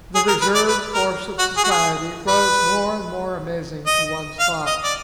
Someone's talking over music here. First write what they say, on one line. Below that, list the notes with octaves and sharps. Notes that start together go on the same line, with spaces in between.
The reserve force of society grows more and more amazing to one's thought.
G#4
A#4
B4
D5
B4
A#4
F#4
G#4
F#4
G#4
B4
D#5
F5
D#5
D5